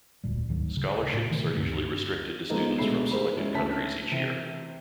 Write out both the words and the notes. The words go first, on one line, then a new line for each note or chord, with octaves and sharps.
Scholarships are usually restricted to students from selected countries each year.
E1 D2 A#2 G3
D2 G#2 D#3 F#3
C#3
A2
C3 D#3 E3 A3
D2 G2 D3 C4
F3 G#3 A#3 B3 D#4 A4
A#1 B2 G#3 A3 B5 C7
G#4 A#4 C5 B5
G#3 C#4 E4 C#5
D2 A3 C#4 A5 B6
C3 E3 D#7